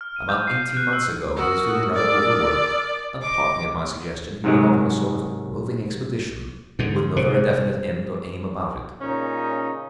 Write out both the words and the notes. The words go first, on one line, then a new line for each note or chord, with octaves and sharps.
About eighteen months ago he was feeling rather overworked, and partly at my suggestion he went off on a sort of roving expedition, with no very definite end or aim about it.
F6
D#7
G6
C7
G6
F#6
E6
F#4 A#4 D#6 E6
D5
D#5 D6
G#2 C3 D#3 F#3 G#3
G#2 D3
C6
C3 G#4 C5
G#4 C5
A#2 C#3 C#4 D#4